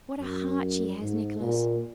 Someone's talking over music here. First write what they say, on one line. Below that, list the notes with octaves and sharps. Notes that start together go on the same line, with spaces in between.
What a heart she has, Nicholas!
F#2
G#2
A#2